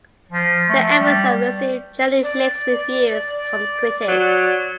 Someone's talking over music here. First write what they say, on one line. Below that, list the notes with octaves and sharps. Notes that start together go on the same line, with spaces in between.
The episode received generally mixed reviews from critics.
F3
A3
G3
D5
F#3